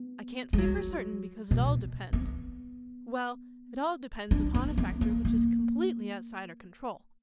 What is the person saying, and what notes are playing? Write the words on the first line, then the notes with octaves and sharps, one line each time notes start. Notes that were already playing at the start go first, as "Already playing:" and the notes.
I can't say for certain, because it all depends--well, it all depends upon a factor which is completely outside our control.
Already playing: B3
G#3
F#3
B2
B3
D4
B3
B3
A#3
A#3